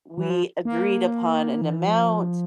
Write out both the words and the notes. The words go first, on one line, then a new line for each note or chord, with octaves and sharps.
We agreed upon an amount.
E3
F3
A#3
E3
F3